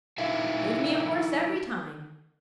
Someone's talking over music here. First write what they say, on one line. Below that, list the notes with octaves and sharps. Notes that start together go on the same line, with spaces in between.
Give me a horse every time.
D#4 E4 A#4 E5 F5